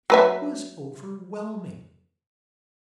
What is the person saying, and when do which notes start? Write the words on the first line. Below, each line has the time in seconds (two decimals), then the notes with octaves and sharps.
It was overwhelming.
0.10 F#3 B4 E5